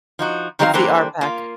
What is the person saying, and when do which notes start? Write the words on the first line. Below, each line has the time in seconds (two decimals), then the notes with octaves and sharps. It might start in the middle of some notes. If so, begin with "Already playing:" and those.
What's the RPAC?
0.19 F3 D#4 F#4
0.59 D#3 F#3 C4 D#4 A4 F5
0.74 E3 G3 A#3 D4 A4 C5
1.21 A#3 F4